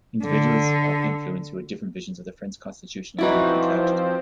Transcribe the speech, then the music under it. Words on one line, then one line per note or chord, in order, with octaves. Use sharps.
Individuals of influence who had different visions of the French constitutional monarchy clashed.
D3
F3 C4 D#4 E4 F#4 B4 D5